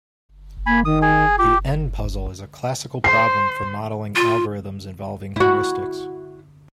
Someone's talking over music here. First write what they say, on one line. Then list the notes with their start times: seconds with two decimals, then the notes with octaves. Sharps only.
The "n"-puzzle is a classical problem for modelling algorithms involving heuristics.
0.66 A#3 G#5 B5
0.85 D#3 D#6
1.02 G#4 G#5
1.39 F4 G4
3.04 C5 C7
4.16 F4
5.36 E4 F#4